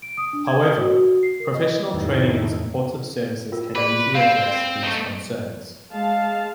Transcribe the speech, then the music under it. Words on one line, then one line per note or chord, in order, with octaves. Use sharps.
However, professional training and supportive services can usually address these concerns.
D7
D#6
D4
G#6
D#6
F#4
F#4
C7
A#4
D#5
F2 A2 D#3 E3
F4 A#4
G#4 B4 D5
C4 F5 B5
A3 D#4
G#3 F5 A5